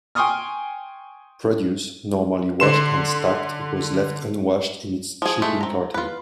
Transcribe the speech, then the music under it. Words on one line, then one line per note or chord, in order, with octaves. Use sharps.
Produce, normally washed and stacked, was left unwashed in its shipping carton.
G5 G#5 C6 C#6 D#6 F6
D3 C6 E7
F3 G#4
G#3 A3
C4 A#5
F4 B4